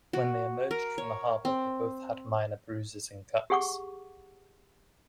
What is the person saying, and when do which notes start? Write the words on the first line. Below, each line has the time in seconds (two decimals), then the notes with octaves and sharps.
When they emerged from the harbour they both had minor bruises and cuts.
0.13 F#4
0.71 A#4
0.98 C#5
1.45 C4
3.50 G4 G#4 F#5 C#6 D6